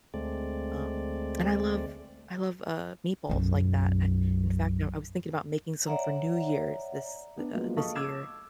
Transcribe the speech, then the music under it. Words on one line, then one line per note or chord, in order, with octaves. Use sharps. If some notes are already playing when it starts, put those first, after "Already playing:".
um, and I love I love, uh, meatballs like that. I in fact, now, I was thinking about making some for New Year's this the, uh, this year.
D2 G#3 A3 C4 D5
B1 F#2
C#5 D5 E5 F#5 A#5
B3 D4
F3 F#3 G#3 A#3 B3
A4 D#5 F5 A5 C#6 D#6
D6 E6 G#6 E7